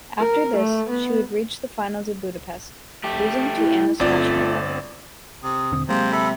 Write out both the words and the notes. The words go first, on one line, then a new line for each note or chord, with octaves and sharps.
After this, she would reach the finals of Budapest, losing to Anna Smashnova.
A#4
A3
B3
A3 G4
E4
G1 A3 C4 F4 D5
C3 D#6
D#1 D3 C4
C3 F#3 G#3 A#3 C5 F5
A4 E5 B5